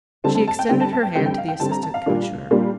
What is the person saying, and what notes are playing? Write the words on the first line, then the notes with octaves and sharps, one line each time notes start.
She extended her hand to the Assistant Commissioner.
D3 G3 C4 A5
A5
A5
G5
D3 G3 C4 G5
A5
A5
G5
D3 G3 C4 G5
G5
F5
G5
D3 G3 C4 A5
A#5
A5
F5
A#2 G3 A#3 D4
A#2 G3 A#3 D4